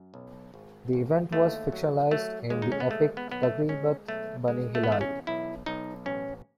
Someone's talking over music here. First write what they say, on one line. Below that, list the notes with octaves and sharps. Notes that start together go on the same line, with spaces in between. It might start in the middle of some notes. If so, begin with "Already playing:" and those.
The event was fictionalized in the epic "Taghribat Bani Hilal".
Already playing: F#2
B1
G#1
G#1
D#2 A3
F#3
F#3 A3
D#2 G#3
D#4
C#4
B3
G#3 A3
B3
B1 B3
A3
G#3 C#4
B1 A3
G#3
A3
B3
E2 A3
C#4
B1 E4
B1 D#4
A1 C#4